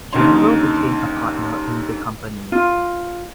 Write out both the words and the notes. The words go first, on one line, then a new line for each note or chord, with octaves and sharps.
General became a partner in the company.
D#2 D3 C#4 D#4 C#5 C6
F4